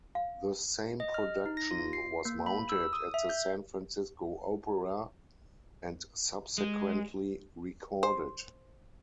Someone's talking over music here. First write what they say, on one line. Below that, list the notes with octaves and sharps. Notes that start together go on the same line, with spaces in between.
The same production was mounted at the San Francisco Opera and subsequently recorded.
F5
D#5
F6
D#4
A#6
F4
C7
A#3
B5
E6
D#6
E5
G6
G#3
C5